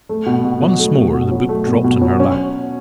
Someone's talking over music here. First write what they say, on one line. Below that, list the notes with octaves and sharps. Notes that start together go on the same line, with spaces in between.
Once more the book dropped on her lap.
A3
B2
B2
F#3
A3
B2
B2
F#3
A3
B2
B2
F#3
C#4